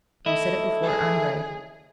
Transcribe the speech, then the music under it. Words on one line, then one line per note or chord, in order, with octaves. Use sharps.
You said it before Andrey.
A3 E4 D#5
G#4